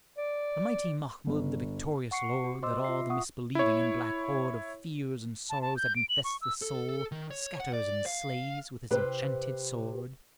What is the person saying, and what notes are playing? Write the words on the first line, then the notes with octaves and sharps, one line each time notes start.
The mighty Mahmud, the victorious Lord, That all the misbelieving and black Horde Of Fears and Sorrows that infest the Soul Scatters and slays with his enchanted Sword.
D5
G1
F#5 C#6 C7 C#7
F#4
C5 D#5 C6 D6 E6
F4 E5 C7
F#5 C#6 D#6
E4 C#5
A5
A5
G6
D7
F#7
C#6
E6
A4
D#3
C#5
F#5
D5
F5
C3 G4 B4 C5 G5